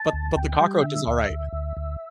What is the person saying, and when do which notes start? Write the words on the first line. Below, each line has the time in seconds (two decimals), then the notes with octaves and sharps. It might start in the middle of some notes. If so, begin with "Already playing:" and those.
But but the cockroach is alright,
Already playing: A5
0.13 D2
0.36 D2 G5
0.60 G3
0.83 D3 E5
1.07 D2
1.30 D2
1.53 D2
1.77 D2